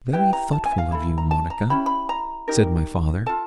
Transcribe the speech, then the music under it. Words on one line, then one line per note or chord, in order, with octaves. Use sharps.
'Very thoughtful of you, Monica!' said my father.
E4 G4 B4 G5
A#5
A5
G#5
E5
F5
E4 A4 B5
A#5
A5
A#5
C#4 E4 G4 B5
B5
A#5
D#4 G4 A#4
F4 A4 A5